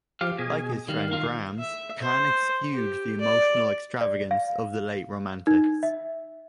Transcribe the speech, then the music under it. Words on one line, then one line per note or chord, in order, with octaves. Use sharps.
Like his friend Brahms, Kahn eschewed the emotional extravagance of the late Romantics.
F3 G4 F5
B2 G#4 G#5
D#3 G3 F5
A#3 F4
E5
C5
G4
D5
D5
F5
D#4
E5